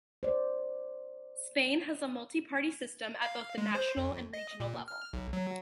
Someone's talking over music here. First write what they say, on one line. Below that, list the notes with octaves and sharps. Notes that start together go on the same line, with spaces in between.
Spain has a multi-party system at both the national and regional level.
C5 D5
F5
G#3
C5
F2
D#5
A#2
F6
B1
F#3